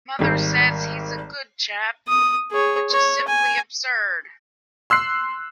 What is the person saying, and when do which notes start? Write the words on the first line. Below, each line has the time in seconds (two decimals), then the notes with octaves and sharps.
Mother says he's a good chap, which is simply absurd.
0.19 G#1 D#3 G3
2.08 D#6
2.51 G#4 C#5
2.91 C#5
3.28 G#5
4.90 C6 E6 F#6 C7